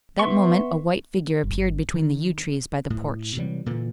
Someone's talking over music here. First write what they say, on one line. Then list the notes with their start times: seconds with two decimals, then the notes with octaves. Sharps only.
That moment a white figure appeared between the yew-trees by the porch.
0.19 B3 E5 C6 C#6
1.43 G1
1.94 D#3
2.90 A2
3.37 C3 E3 F#3 G3
3.66 A#2 D3 E3